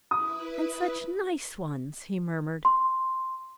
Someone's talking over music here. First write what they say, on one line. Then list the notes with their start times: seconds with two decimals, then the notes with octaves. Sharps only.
"And such nice ones," he murmured.
0.11 E4 B4 D#6
2.65 C6